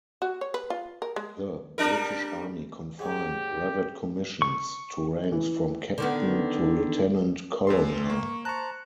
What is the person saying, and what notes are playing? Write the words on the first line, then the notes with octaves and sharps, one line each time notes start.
The British Army confined brevet commissions to ranks from captain to lieutenant-colonel.
F#4
C#5
B4
F4
A#4
G#3
G3 D4 A#4
G#2 F#3 G4
C#6
E3
D3 D#3 B3
E2 A4 C6
A#3 C#6
C5 A5 A#5 C#6 F#6